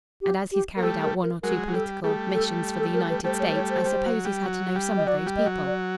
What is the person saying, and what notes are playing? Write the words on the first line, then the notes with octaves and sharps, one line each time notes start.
And as he's carried out one or two political missions for the United States, I suppose he's had to know some of these people.
G4
G4
A#3 A#4
G3 A3 A4
A#4
A#4
F#3 G#3 A#4
F#3
G3 A4
G3 A3 G#4
A4
A4
A#4
B4
G3 A3 C5
C#5
C5
C#5
C5
G3
F#3
G3
F#3
G3
D#5
F#3 D5
G3
D#5
F#3
D5